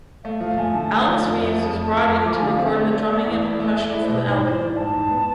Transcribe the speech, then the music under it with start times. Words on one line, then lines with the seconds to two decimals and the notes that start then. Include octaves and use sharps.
Alex Reeves was brought in to record the drumming and percussion for the album.
0.24 A3 F5
0.40 F3 F5
0.58 A3 G#5
0.74 D3 A5
0.87 A3 A5
0.99 F5
1.08 F3 E5
1.25 F2 D5
1.41 F3 E5
1.58 F2 A5
1.75 A3
1.92 F2
2.09 A3
2.25 F3 D6
2.33 A5
2.38 D3 G#5
2.50 F5
2.59 C4 E5
2.75 A3 D5
2.93 A3
3.10 A3
3.26 E2
3.42 E4
3.60 A3
3.76 A3 E5
3.89 E4 D5
4.01 C5
4.09 B2 B4
4.26 G#2 C5
4.43 E3 C5
4.59 E3 D5
4.76 G#2 A5
4.93 G#2
5.11 B3